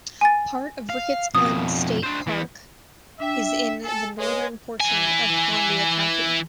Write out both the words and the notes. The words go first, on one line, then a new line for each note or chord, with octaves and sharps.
Part of Ricketts Glen State Park is in the northern portion of Columbia County.
G#5 A6
F5
F2 B2 D#6
D4 C5
E3 B3
D4 E5 G5
A4 G#5
G#3 B4 C#5
E3 G#5